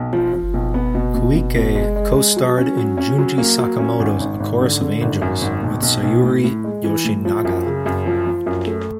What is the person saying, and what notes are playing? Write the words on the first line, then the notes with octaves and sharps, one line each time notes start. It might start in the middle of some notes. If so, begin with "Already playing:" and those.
Koike co-starred in Junji Sakamoto's "A Chorus of Angels" with Sayuri Yoshinaga.
Already playing: B1
F3
F3
B1
B3
B2
B2
B2
B2
G#3
G#3
G#3
F#3
C#4
F#3
C#4
F#3
A#3
F#3
C#4
G#1
G#1
G#1
D3
D3
G#1
F#2
G#1
B1
B1
B1
A2
A2
G#3
E3
A2
F3
F#2
C#3
F#2
F3
F3
F#2
A3